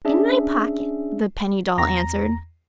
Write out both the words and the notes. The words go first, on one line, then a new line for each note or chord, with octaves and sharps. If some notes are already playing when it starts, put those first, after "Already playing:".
"In my pocket," the penny doll answered.
C#4 D4 G#4 E5
E2 A#5 A#6